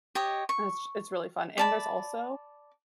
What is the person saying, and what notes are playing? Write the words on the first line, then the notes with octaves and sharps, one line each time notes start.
it's it’s really fun, and there's also
G4 C#5 D#5
C#6
D5 A5 B5